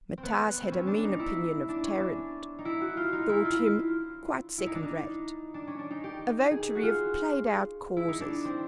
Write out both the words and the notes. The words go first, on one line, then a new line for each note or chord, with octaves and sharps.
Matthias had a mean opinion of Tarrant, thought him quite second-rate, a votary of played-out causes.
C4
B3
C4
C#4
D4
D#4
E4
D4
C#4
D4
D#4
E4
F#4
F4
D#4
E4
F4
E4
F4
E4
D#4
D4
D#4
D4
C#4
D4
D#4
G4
G#4
F#4
F4
E4
D#4
D4
C4